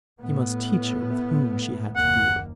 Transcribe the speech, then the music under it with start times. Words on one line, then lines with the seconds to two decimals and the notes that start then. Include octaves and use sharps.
He must teach her with whom she had to deal!
0.20 A2 B3
1.96 F#1 D#2 A#3 F#5